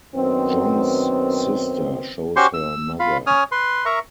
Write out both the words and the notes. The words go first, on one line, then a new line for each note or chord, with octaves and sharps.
John's sister shows her mother.
F#2 D#3 B3 C4
C#4 F#4 G4 C5 C6 C#6
E6
F4 F5 B5
C#4 C#5 D#6 F6
B4 C6
A#4 E5 A#5 C#6